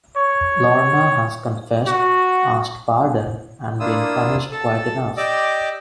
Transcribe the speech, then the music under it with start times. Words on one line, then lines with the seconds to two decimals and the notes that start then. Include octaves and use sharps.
Lorna has confessed, asked pardon, and been punished quite enough.
0.16 C#5
1.87 F#4
3.80 A#3 D4 E4 F4 D#6 E6
4.51 A4 A5
5.17 G4 D5 D#5 D6 E6